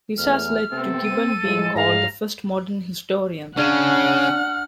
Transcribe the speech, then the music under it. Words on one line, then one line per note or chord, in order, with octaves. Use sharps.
This has led to Gibbon being called the first "modern historian".
E2 A3 F6
C3 A3 B3 C4 A4
D#7
A2 F3 G#3 G#4
G#2 F5 A#5
C#3 C#4 D4 F#5 F6